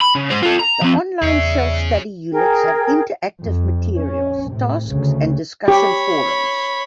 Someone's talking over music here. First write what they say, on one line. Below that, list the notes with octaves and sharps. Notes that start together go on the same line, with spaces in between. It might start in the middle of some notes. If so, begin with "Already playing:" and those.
The online self-study units have interactive materials, tasks and discussion forums.
B5
C#3
G#3 C5
F4 A4
A#5
F3 C4
E2 G#4 C#5 D5 E5 E6
G#4 A#4 G5
F2
C#4
A2 C3
D2 C#3
G4 C#5 B5